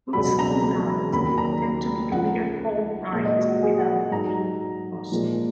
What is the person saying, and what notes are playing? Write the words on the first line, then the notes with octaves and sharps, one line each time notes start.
Good seeing nights tend to be clear, cold nights without wind gusts.
C#2 B2 F#3 B5
A#5
A#5
D#2 C#3 F#3 B5
A#5
C#2 C#3 F3 F#5
A#2 G#3
D#5
F#4
F#4
G#4
F#5
G#2 F#3 A#5
A#2 F3 G#3